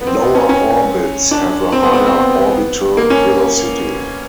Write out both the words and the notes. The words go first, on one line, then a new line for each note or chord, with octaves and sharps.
Lower orbits have a higher orbital velocity.
B3
C4
B3
C#4
C#4
D4
C4
B3
C4
C4
B3
A#3
C#4